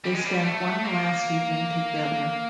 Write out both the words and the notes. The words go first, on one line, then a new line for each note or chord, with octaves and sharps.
They spend one last evening together.
G3
G#3
G3
A3
A#3